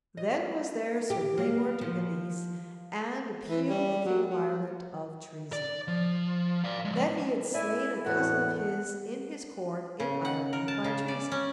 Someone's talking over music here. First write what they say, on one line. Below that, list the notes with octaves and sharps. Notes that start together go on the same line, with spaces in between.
Then was there Sir Blamore de Ganis, and appealed the King of Ireland of treason, that he had slain a cousin of his in his court in Ireland by treason.
D#5
G4
A#3
F3
E3
G3
F#3
F#3
D5
F3
D5 F5
F3 G#3
E4 D5 E5 G#5
E2 A2 F#4 F#5
C#3
F#5
A#4
A5
C#3
D5
C#4